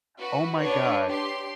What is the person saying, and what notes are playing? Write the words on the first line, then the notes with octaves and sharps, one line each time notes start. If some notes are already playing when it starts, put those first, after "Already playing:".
Oh my god.
F#4 B4
D4 B4 C#5
G4 C6